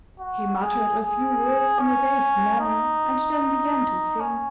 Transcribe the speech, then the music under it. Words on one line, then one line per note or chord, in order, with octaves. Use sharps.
He muttered a few words in a dazed manner and then began to sing.
F#4
G#4
G#4
C#4
D#4
C#4